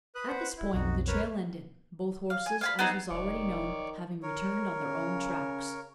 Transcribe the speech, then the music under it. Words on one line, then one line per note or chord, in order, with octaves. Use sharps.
At this point the trail ended--both horses, as was already known, having returned on their own tracks.
B4 D#6 F#6
B4 C5 F#5
E4
B1 F2 D#4 F#4
A#4 B4 C#5
F5
G#5
F5 G#5 B5
B3 C4 D#4 G#4
E1 D#3 C#5 D5
A#4 C#5
C#3